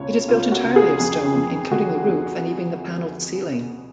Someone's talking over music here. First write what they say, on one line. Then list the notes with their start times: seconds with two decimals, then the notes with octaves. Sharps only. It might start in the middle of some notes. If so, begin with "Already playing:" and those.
It is built entirely of stone, including the roof and even the panelled ceiling.
Already playing: C#2 B2 C#5
0.28 C#2 F4
0.52 F#4
0.64 C#2
0.76 G#4
1.00 F2
1.36 F2
1.71 D3 F#4
2.07 F2